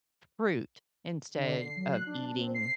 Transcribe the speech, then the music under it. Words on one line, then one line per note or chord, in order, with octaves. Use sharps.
fruit instead of eating
D3
C7
F#3
F#6
D4
C4
C7